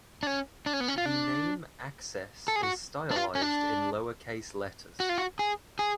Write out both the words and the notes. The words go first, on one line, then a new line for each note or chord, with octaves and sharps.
The name "access" is stylized in lowercase letters.
D4
C#4
D4
C#4
B3
C#4
F4
D4
A4
G#4
F#4
D4
F4
C#4
D4
F#4
F4
F#4
G#4
G#4